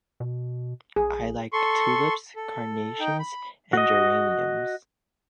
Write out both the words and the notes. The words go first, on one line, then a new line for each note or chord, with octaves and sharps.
I like tulips, carnations, and geraniums.
B2
A#1 G#4
A4 C6 C#6
A4
D#4 G5
B5
F#4 D#5